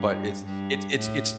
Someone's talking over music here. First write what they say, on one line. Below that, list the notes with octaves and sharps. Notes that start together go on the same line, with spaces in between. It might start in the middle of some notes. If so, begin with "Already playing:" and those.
but it's it's it's it's
Already playing: G2
G2
A2